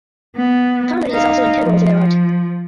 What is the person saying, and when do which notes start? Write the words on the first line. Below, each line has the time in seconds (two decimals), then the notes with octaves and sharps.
Comedy is also integral to their art.
0.36 B3
1.10 D#4 F5
1.60 F3